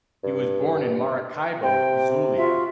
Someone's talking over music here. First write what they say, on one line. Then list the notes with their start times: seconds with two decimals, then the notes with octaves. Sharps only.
He was born in Maracaibo, Zulia.
0.24 G2
1.62 C3 G5
2.36 F4 F#4 E5